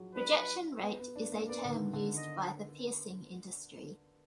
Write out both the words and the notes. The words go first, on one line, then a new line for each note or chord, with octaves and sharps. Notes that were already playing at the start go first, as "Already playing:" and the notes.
Rejection rate is a term used by the piercing industry.
Already playing: F3 F#3 G#3
D4 B4
B3
B3
D4
A#3
B3 D5
D3
D#3
D3
D#5